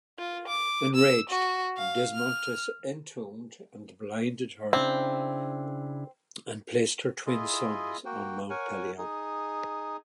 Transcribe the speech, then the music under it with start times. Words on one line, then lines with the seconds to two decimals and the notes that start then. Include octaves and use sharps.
Enraged, Desmontes entombed and blinded her and placed her twin sons on Mount Pelion.
0.18 F4
0.47 D6
0.95 E6
1.30 F#4
1.77 F5
2.15 F6
4.73 C#3 C4 D4 E4
7.26 E4 F4 G#4 D#5
8.05 A#3 F#4 G5
8.50 A#4 C#5 F#5 G#5
8.98 D#4 G#4